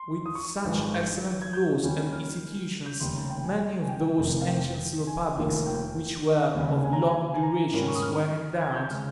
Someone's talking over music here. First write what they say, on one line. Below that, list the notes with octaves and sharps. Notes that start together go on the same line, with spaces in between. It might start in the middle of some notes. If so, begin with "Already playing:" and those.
With such excellent laws and institutions, many of those ancient republics, which were of long duration, were endowed.
Already playing: C6
D#6
C#6
G#1 G2 F3 G#3
G6
G#6
G6
D#2 D#3 G3 C#4
F6
G6
F1 D#2 C#3 G3 C6
A#5
G5
G#5
G#5
G5
F1 F2 C3 F3 A#3
F5
G5
G#5
F1 D#2 D#3 A#3 F4
G5
D#2 C#3 G3
G#5
A#5
G#5
G#5
A#5
G#2 D#3 G3 A#3 C#4
C#6
D#6
F6
G#6
G6
C#3 G#3 F6